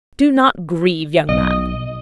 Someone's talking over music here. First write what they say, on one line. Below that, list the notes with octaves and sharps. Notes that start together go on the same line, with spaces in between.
'Do not grieve, young man!
B1 D#5